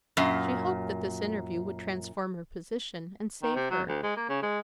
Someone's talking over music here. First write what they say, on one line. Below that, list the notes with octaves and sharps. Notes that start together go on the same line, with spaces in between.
She hoped that this interview would transform her position, and save her.
F#2 A#2
D#3
C3
F#3
D2
G#3
A#3
C#3
G#3